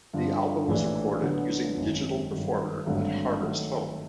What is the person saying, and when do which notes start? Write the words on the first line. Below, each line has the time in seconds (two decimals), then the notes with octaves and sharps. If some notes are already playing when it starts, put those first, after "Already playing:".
The album was recorded using Digital Performer at Harmer's home.
0.13 G2 D3 F3
0.67 A#1 A2 E3 A3 D4
1.22 D3 F#3 B3
1.77 G#1 F#2 D#3
2.31 G2 D#3 F#3
2.86 G#1 G2 D3 F#3 A3
3.40 D#3 F#3 A3